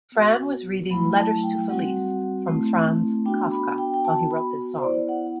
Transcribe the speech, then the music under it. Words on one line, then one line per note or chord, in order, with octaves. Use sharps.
Fran was reading Letters to Felice from Franz Kafka while he wrote this song.
B3 F#4
F#3 A3 E4 B5
A5
G5
G3 C4 F#4 F#5
A3 C4 E4
B3 D4 F#4 G5
B5
G5
G5
B3 F#4 A5
B5
C5
B3 E4 D5
F#5